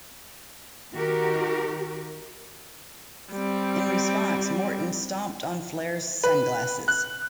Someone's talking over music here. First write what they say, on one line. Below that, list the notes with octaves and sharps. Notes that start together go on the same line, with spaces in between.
In response, Morton stomped on Flair's sunglasses.
D#3 F#4 G4 A#4
G3 C4
B4
F#6